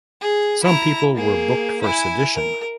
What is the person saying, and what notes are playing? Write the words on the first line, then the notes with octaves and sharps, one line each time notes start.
Some people were booked for sedition.
G#4
E4 A#5
A#3 G#4
E4 G#5
A#4